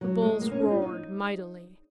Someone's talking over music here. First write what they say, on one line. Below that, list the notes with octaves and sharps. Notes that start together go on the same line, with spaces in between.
The bulls roared mightily.
F#3
G#3
A#3
C#4
D#4
F4
D#4